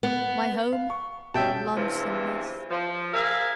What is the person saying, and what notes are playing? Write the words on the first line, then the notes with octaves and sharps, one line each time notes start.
My HOME, lonesomeness!
B3
F5
C#6
B2 G3 C#4 E5 G5 A5
E2 G2 C3 E3 F3
F3
G#4 A#4 E5 F5